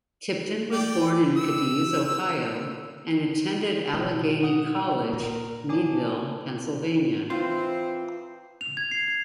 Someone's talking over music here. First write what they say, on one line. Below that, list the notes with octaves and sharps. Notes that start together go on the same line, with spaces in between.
Tipton was born in Cadiz, Ohio, and attended Allegheny College, Meadville, Pennsylvania.
D5 G5
E6
B2 G#3
F#5 D#6
A#2 A#4
F#3 D4 G#5 D6
E3 C4 F4 C5
F7
G#6
C7
G#6